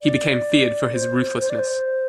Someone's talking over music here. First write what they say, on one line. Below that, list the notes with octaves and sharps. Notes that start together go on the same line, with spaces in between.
He became feared for his ruthlessness.
D5
C5
C5
D5
C5